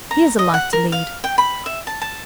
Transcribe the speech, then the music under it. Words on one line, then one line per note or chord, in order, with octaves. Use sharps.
Here's a life to lead!
A#5
D#5
F#5
A#4
F5
G5
B5
E5
A5
A5